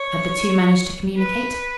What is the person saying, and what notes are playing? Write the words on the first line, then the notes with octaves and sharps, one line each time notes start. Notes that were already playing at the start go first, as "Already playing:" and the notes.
Had the two managed to communicate?
Already playing: C#5
B4